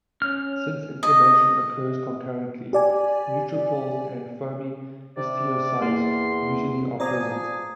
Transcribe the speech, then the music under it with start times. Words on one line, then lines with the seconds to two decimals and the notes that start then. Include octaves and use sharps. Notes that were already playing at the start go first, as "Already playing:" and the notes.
Since inflammation occurs concurrently, neutrophils and foamy histiocytes usually are present.
0.22 C#4 F6
1.03 D#5
2.73 G4 D5 G#5
5.17 C3 D5
5.82 E2 A#3 C6
7.00 F3 G#4 D5 A#5 D#6